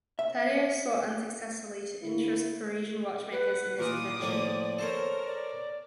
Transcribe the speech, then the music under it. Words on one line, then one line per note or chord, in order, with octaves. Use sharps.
Fatio sought unsuccessfully to interest Parisian watchmakers in his invention.
E5
D3 A#3 E4
B4 F#5
A#2 E3 D#4 F4 D6 D#6
A2 F3 A#3 D5
A4 A#4 C5 C#5
D5